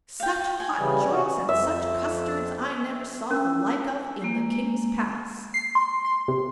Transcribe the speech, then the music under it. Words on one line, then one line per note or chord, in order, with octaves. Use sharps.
'Such hot joints and such custards I never saw the like of in the king's palace.'
F5 G5
G#5
C#3 E3 G3
C3 C#4 F#4
F2 E5
C#4 A#4 E6
G#3 A#3
C7
C6
C6
C3